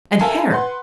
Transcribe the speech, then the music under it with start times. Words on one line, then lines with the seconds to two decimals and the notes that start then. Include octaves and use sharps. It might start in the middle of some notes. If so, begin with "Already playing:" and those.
And hair.
0.21 A4 A#4 E5 F5 G#5 A5
0.50 B4 F#5 C6